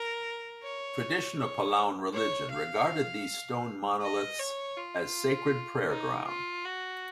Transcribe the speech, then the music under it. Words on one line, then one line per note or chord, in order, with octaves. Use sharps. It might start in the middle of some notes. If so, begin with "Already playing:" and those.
Traditional Palaun religion regarded these stone monoliths as sacred prayer ground.
Already playing: A#4
C#5
C#5
C#5
F5
D#5
C#5
F4
D#4
F4
F#4